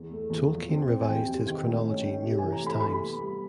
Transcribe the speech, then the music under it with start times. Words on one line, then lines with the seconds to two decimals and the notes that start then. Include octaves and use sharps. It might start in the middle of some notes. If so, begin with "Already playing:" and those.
Tolkien revised his chronology numerous times.
Already playing: E2
0.11 A3
0.30 E2
0.50 F3
0.69 C4
0.88 C4
1.02 G#5
1.08 E2 G5
1.27 C3
1.46 D#3
1.66 A2
1.85 C#4
2.04 C#4
2.23 C3
2.38 E3 G#5
2.52 A#5
2.62 A3 B5
2.81 C3 B5
3.01 B3
3.19 G3